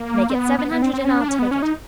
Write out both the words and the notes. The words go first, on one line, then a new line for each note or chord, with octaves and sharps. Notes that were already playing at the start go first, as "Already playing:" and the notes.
"Make it seven hundred and I'll take it."
Already playing: A#3
C4
B3
B3
B3
C4
C4
C#4
D4
C#4
B3
C#4
D#4